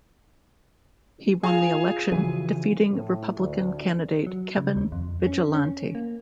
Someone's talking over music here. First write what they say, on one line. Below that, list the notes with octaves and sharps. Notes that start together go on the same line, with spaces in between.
He won the election, defeating Republican candidate Kevin Vigilante.
F4 G#4 F5 F7
C#3 E3 F3 F#4 D#7
A2
D2
F#3
C#3
D#2
F2
C#4
C#4
A#3